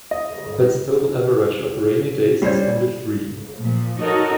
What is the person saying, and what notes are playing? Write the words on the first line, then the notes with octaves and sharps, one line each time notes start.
Its total average of rainy days is only three.
D#5
G3 C#4 G4 C5 D5
A#2 F3
D#4 F#4 A4 A#4 C#5 D#5